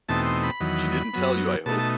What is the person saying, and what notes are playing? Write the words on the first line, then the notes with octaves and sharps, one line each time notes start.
She didn't tell you, I hope?
E2 B2 A3 C4 D#4 A5
C6
B5
E2 D#3 F#3
F#2 F#3 B3
B2 A3 D#4 A5
A5